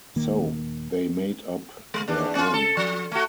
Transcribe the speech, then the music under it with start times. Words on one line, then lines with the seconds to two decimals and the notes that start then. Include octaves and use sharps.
So they made up their own.
0.16 D#1 D#3 A#3
1.94 G#3
2.08 E2 D4
2.35 C#4 F4
2.54 A4
2.77 F3
3.12 A3 F#4